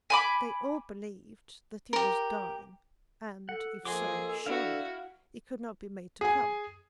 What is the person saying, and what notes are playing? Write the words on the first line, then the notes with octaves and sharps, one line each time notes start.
They all believed that he was dying, and, if so, surely he could not be made to come.
G#5 B5 D6
G4 A#4
A4 F#5
F3 A#3 G#4 A4 D#5 C6 D6
D4 E4 F#4 F5
G#4 G#5